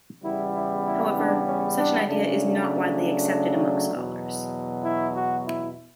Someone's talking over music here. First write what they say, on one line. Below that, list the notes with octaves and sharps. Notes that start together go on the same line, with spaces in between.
However, such an idea is not widely accepted among scholars.
E2 C#3 G3 B3 E4
E4
E4
D4
C#4
D4
C#3 F#3 A3 D4
E2 B2 F#3
E4
F#4
E4